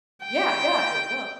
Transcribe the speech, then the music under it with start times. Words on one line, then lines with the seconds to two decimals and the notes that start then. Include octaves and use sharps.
Yeah, yeah, it will.
0.24 G5